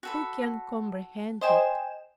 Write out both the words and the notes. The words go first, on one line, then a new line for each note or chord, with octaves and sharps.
Who can comprehend it?
F#4 A4 B5
C5 D#5 G5 G#5 C6 E7